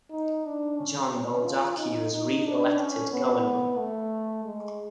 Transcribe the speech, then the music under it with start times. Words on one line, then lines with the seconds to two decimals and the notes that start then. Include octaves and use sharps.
John Baldacci was reelected governor.
0.11 D#4
0.45 D4
0.78 C#4
1.45 F4
1.78 D#4
2.12 D#4
2.45 D4
2.78 C#4
3.12 B3
3.78 A3
4.45 G#3